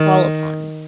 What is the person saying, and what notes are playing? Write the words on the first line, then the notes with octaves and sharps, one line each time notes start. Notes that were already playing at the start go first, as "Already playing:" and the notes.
fall upon.
Already playing: D#3